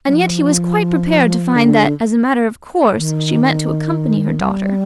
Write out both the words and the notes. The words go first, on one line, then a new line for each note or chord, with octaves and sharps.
And yet he was quite prepared to find that, as a matter of course, she meant to accompany her daughter.
G3
F3
D3
D#3
G3